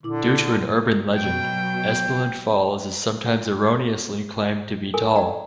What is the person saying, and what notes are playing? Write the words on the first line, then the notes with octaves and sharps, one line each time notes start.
Due to an urban legend, Espeland Falls is sometimes erroneously claimed to be tall.
A#2 D3 E4 D6
B2 F#3 G5
F#5
A4 A#4 G#5
D5 D#5 F5 G5 A#5